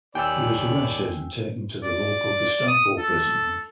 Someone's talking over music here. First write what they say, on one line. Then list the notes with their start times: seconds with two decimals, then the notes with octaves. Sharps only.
He was arrested and taken to the local Gestapo prison.
0.15 D#2 C#5 D5 G5 G#5 B5 E6
1.83 D5
2.68 D#6
2.98 A4